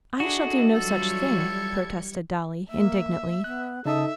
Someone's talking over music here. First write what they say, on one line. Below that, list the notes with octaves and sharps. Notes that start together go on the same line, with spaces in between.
"I shall do no such thing," protested Dolly, indignantly.
D4 E4 F#4 G#4 A4 D#5
E3 F#3 G3 F4 A4 G#6 C#7
A#3 E5
B3 F#6
C#3 D#4 A4 E5 A5 D#6